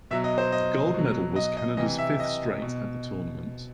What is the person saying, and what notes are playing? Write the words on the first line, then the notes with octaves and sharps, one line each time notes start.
The gold medal was Canada's fifth straight at the tournament.
B2 F#3 E5
D#5
C5
D#5
B2 F#3
D#5
D#5
C3 E3 D#5
E5
D#5
B2